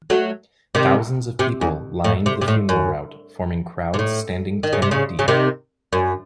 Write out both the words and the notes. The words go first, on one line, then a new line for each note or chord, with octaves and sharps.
Thousands of people lined the funeral route, forming crowds standing ten-deep.
F#3 A3
C3 D#3
C3
E2
A2
C3
C3
A2
F#2
C3
A2
D#3
C#3
C3
C#3
C#3
C3 D#3
F#2